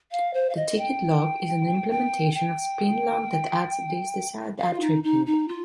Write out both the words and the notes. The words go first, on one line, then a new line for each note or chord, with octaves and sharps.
The ticket lock is an implementation of spinlock that adds this desired attribute.
F5
C5
F5
D#5
G5
G5
G5
F5
F4
D#4
D#4
D#4
F4